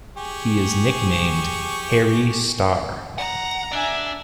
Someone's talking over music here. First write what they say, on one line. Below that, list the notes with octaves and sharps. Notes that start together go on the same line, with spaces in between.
He is nicknamed "Hairy Star".
G4 G#4 C#6
F#5 A#5
D4 D5 E5 G#5